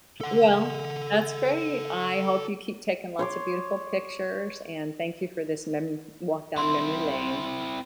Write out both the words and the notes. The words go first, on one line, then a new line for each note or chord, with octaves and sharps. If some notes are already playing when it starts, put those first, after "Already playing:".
Well, that's great, I hope you keep taking lots of beautiful pictures and thank you for this mem walk down memory lane.
A4 F#5
C#5 C6 D6
C4 E4 C6